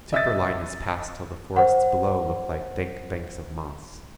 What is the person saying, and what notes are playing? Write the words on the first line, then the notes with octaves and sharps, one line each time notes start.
Timber-line is passed till the forests below look like dank banks of moss.
D#5 E5 D#6 A6
C5 F#5